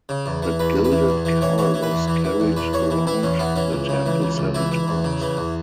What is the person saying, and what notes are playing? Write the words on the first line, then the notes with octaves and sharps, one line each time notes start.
The gilded cow was carried around the temple seven times.
C#3
E2
E3
E2 B4
E2
B4
E3
E2
E3
E3 C#5
E3 C#5
E3
B4
E2
E3
E3
E2
E2 B4
E3 C#5
E3
E3 E4
E2 C#4
E3 B3
E3 C#4
C#2
C#3
E3
C#2
C#2
E3 E4
E3
E2
C#3
E3
E2